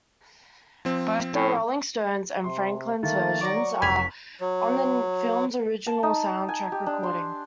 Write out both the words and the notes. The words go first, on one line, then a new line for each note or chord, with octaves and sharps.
Both the Rolling Stones' and Franklin's versions are on the film's original soundtrack recording.
F3 C4
A2
C3 C6
D#3 A3 A#3 A6
F#3 D5 A#5 C#6
F1 G#5 B6 F7
F#3
A5
D#4
G#5
G4
D4
C6